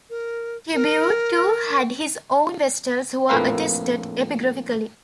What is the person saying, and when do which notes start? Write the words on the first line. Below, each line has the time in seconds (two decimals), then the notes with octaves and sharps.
Tibur too had his own vestals who are attested epigraphically.
0.10 A#4
0.74 A#4
3.29 A#1 F2 A2 A#3 B4 F5